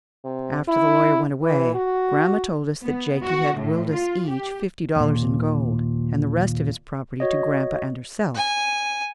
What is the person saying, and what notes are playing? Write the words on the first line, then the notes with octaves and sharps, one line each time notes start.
After the lawyer went away, grandma told us that Jakie had willed us each fifty dollars in gold, and the rest of his property to grandpa and herself.
C3
E4
E3
F#4
B3
F#4
A2
F4
G4
D#2 A#2
F#4 C#5 D#5
G#5